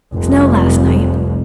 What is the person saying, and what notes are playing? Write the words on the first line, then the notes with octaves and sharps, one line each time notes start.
Snow last night.
F1 C2 F2